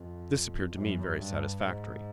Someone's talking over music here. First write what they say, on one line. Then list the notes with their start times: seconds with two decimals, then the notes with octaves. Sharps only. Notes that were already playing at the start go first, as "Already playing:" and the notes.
This appeared to me very satisfactory.
Already playing: F2
0.74 F#2
1.18 G2
1.63 G#2